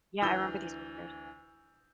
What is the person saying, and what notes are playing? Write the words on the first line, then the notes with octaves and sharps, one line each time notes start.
Yeah, I remember these pictures.
D2 E3 E6 G6 G7